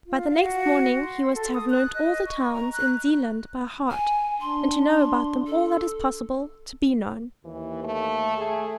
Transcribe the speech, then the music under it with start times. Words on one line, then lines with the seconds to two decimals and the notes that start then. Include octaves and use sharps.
By the next morning he was to have learnt all the towns in Zealand by heart, and to know about them all that is possible to be known.
0.06 F4
0.29 F5
0.43 F#4
1.01 C6
1.35 A4
1.54 D#6
1.70 F#6
1.95 D#5
2.26 C#6
2.53 A#5
2.73 F#6
3.90 G#5
4.41 D4 C6
4.98 C6
5.46 A4
7.44 D#2 E3
7.84 A3
8.37 A3 G#4